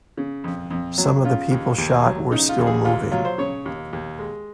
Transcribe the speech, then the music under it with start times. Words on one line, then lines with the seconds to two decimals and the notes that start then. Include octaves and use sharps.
Some of the people shot were still moving.
0.17 C#3
0.44 F2
0.70 F2
0.98 F#3
1.24 C#3 F4
1.51 D#2
1.78 D#2
2.05 F#3
2.31 C#3 D#4
2.49 F4
2.58 D#2
2.67 G#4
2.85 D#2 F4
3.11 F#3 F4
3.25 C5
3.38 C#3 C#5
3.66 D#2
3.93 D#2
4.19 G#3